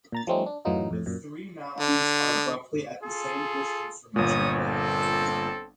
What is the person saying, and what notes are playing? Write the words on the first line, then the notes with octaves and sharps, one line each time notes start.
The three mountains are roughly at the same distance from each other.
A#2 A#5 A6
F3 G3 A3 C4 C#4 D#4
D4
F#2 A2 E3 F#3 D#4 F4
F2 A2
F#2 A#2
D3
F4 G#4 A4
G1 A#2 C#4 C#5 D#6
C4 A4